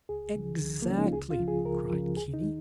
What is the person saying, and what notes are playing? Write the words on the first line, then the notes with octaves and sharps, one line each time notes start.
"Exactly!" cried Kinney.
C#2 G#4
C#3 F3
C#2
A#3
C#3 F3 C#4
D#4
F4
C#2 G#4
F4
C#3 F3
G#4
C#2 A#4
C#3 F3
D#2 G#4
D#4
D#3